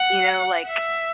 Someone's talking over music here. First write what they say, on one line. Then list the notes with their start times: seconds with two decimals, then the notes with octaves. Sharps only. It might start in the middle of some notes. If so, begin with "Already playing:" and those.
you know, like
Already playing: F#5
0.67 E5